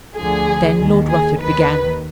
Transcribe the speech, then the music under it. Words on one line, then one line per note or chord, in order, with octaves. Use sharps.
Then Lord Rufford began.
D2 D3 F3 G#4
D#2 D#3
G#4
D#2 D#3 B4